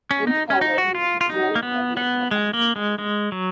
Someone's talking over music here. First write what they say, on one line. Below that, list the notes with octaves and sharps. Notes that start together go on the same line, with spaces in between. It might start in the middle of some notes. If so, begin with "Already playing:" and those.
Henceforward he was more or less a husk.
C#4
D#4
C#4
D#4
F#4
F4
F4
D#4
A#3
B3
B3
G#3
A#3
G#3
G#3
F#3